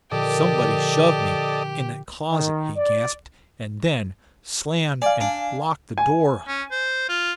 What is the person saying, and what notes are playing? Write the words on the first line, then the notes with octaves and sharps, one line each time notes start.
"Somebody shoved me--in that closet," he gasped, "and then--slammed and--locked--the door."
A#2 D3 F3 G4 A4 D5 D#5
D#3
D5
D5 F5 G#5
D4
G#5
C#4
C5
F4